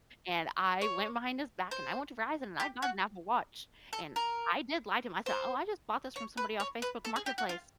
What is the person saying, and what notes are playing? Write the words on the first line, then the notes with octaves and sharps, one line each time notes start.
and I went behind his back and I went to Verizon and I got an Apple Watch, and I did lie to him. I said, "Oh, I just bought this from somebody off Facebook Marketplace."
C#5
C5
G4
F#4
A4
A#4
C5
C#5
B4
C#5
B4
A4
G#4
G4
F#4
F4